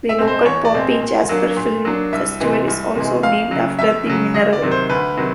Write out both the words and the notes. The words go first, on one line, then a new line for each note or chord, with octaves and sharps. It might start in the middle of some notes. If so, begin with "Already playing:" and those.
The local Poppy Jasper Film Festival is also named after the mineral.
E5
B2 G#3 C4
C5
E2 C#5
D5
B2 G#3 C4
A#2
F#3 A#3 D4
A#2
F#3 A#3 D4
C2 E5
C3 E3 G#3
C2
C3 E3 G#3
F2 F5
C#3 F#3
F2 E5
C#3 F#3
D2 D#5
D5
C3 D#3 F#3
C5
D2 B4
C3 D#3 F#3